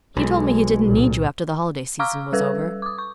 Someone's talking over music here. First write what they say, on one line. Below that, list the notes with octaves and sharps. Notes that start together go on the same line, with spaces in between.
He told me he didn't need you after the holiday season was over.
B1 G#3
C2 A#2
F5 A#5 C#6 D6 E6 F6
G3 A4 B4 E6
D6 D#6
C#6